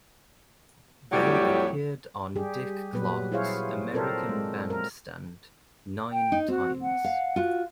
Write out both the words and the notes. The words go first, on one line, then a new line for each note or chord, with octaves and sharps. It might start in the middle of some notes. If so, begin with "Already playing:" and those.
They appeared on Dick Clark's "American Bandstand" nine times.
F2 A2 F#3 G3 G4 C#5
G3 G4 G#4
A#2 F#3 G3 B3 B4
E4 F4 G#4 C5 C#5 F5
C4 F4 A4 A#4 C5 D5
G#3
A#4
G5
D#4
C4 F#4
F#5
F5
F4 F#4